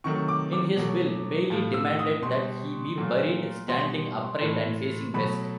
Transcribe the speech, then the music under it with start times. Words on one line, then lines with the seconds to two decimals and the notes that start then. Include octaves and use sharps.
In his will, Bailey demanded that he be buried standing upright and facing west.
0.04 C3 D#3 F#3 A3 C#6
0.28 D6
0.53 D6
0.77 B2 F#3 A3
1.50 A2 F3 A3
1.74 E6
1.99 D#6
2.22 B2 G3 C6
2.96 A#2 F#3 A3
3.68 B2 G3 C6
4.41 A2 E3 A3
5.14 B2 F#3 A3 B5